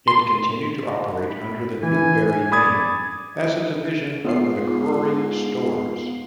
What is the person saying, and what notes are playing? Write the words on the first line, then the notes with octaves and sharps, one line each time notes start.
It continued to operate under the Newberry name as a division of McCrory Stores.
C6
B5
E3 G#5
D5 B5 D#6 G#6
G#2 B3 F4 C7